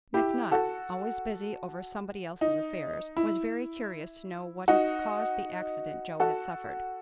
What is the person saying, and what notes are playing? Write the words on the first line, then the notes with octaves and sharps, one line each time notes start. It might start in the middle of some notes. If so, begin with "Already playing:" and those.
McNutt, always busy over somebody else's affairs, was very curious to know what had caused the accident Joe had suffered.
E4 G4
F#4 A4
D#4
E4
D#4 F#4
F#4 A4